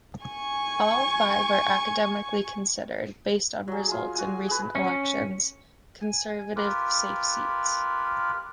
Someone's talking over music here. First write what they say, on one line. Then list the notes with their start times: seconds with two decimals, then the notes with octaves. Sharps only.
All five are academically considered, based on results in recent elections, Conservative safe seats.
0.24 G#5 C#6
3.68 F#3 G#4
3.87 F4 G#4
4.15 F#4 G#5
4.49 G#4 B4
4.75 C#4
6.02 G#5
6.56 F4 G4 A#4 B4